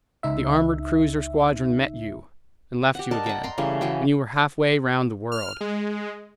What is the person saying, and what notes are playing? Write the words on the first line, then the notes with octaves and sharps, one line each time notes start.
The armored cruiser squadron met you, and left you again, when you were half way round the world.
C#2 D#4 E5
G4 F#5
A#4 D5 D#5 A5
F#5 G5
G5 A#5 C6
C#3 E3 G3 A3
E3 F#4 G#4 G5
F6
G#3